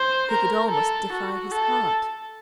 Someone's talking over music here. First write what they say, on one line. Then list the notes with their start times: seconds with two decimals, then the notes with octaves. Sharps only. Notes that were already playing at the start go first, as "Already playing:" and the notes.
He could almost defy his heart.
Already playing: C5
0.31 A#4
0.71 A4
1.12 F#4
1.51 A4